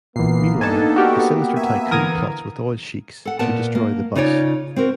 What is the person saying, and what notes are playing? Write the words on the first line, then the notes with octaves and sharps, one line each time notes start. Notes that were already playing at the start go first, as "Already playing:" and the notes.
Meanwhile, a sinister tycoon plots with oil sheikhs to destroy the bus.
B1 A#2 E3 A#3 B3 C7
D4 D#4 A4 G#5 A5
F#4 G4 A#4
E5 G#5
D3 E3 A#4 D#6 G#6
A4 F#5
A#2 B3 A#4 F#5 A5
A#3
C#3 D#4 F4 C#5 D5
C4 F#4 A#4